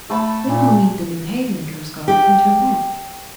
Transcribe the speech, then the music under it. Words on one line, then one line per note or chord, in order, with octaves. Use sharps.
'Then he'll meet the Newhaven coastguard and turn back.
A3 A5 B5
A#2
G4